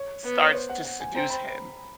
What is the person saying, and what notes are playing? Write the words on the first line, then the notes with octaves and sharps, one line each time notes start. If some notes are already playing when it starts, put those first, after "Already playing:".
starts to seduce him.
Already playing: C#5
B3
C#5
C5
F#5
F#5
G#5
C4 A#5
B5